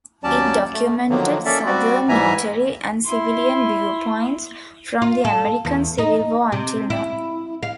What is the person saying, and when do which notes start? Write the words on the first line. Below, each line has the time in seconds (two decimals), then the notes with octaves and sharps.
It documented Southern military and civilian viewpoints from the American Civil War until now.
0.24 D#2 F#3 C#4 D5 A5
0.73 A3
1.10 D3 D#3 F3 F#3 A#3
1.45 A#3 C#4 A4 D5 E5
1.66 G3 C4 F#4 D5
2.09 G#2 E3 G3 E5 G#5 A#5
3.06 E4 C6
5.02 F4
5.25 A4
5.65 E2
5.98 D#4
6.52 C3
6.90 E4
7.63 F5